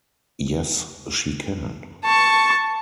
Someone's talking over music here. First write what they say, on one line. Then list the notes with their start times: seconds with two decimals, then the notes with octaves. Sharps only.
Yes she can.
2.05 A5 C#6